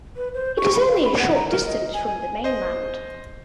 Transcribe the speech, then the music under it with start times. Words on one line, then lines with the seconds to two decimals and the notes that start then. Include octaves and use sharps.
It is only a short distance from the mainland.
0.17 B4
0.34 C5
0.57 C#6
0.74 B5
0.88 F5
1.05 B5
1.19 F#5
1.34 A#5
1.50 A#4
1.67 D#5
1.94 G#5
2.06 G#5
2.44 C5 D#5